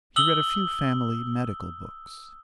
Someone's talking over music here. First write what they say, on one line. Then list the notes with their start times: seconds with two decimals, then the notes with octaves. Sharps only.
He read a few family medical books.
0.16 D#6 E6 F#7 G7